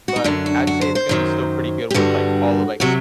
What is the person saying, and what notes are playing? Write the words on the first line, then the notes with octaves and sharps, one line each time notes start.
but I'd say it's gonna be still pretty good with, like, all of, like,
F#4
D#4
F#2 D3 F#3 D4
F#4
F#4
C5
C5
F#2 D#3 F#3
G4
G2 D3 G3 F#4
C3 F#3 F#4